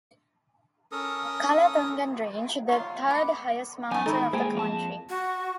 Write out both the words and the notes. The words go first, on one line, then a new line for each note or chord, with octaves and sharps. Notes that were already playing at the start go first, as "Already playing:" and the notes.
Kalatungan Range, the third highest mountain of the country.
C#4 A4 A#4 D#6
F#3 F4
B3 D6 C#7
F#2 A3 D#4 G#5
G#2 D#3 D#4 E4 A4
G#3 A#3 G#4 C5 G5 G#5
F2 F4 A5
F#4